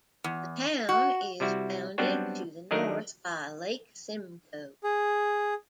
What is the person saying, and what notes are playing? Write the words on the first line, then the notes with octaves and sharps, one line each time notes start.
The town is bounded to the north by Lake Simcoe.
E2
F#4
C3 G3 E4 F#4
F#3 G3 B3 C4 D4 F#4
D#3 F#3 A3 D4 D#4 A#4
G#4